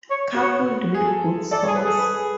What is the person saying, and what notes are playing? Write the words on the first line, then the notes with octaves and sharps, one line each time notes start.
Coupled with good songs.
C#5
F#4
C#5
G#4
A4
A4 D5
G#4 C#5
B4
G#4 A4
B4